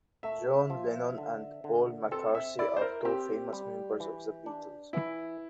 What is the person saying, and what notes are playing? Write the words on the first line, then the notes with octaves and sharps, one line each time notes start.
John Lennon and Paul McCartney are two famous members of the Beatles.
A3 E5
F3
D3
D3
C4 A4
E5
E4 D5
C5
A#4
C4 G4
G3
E3
D4
E3 E4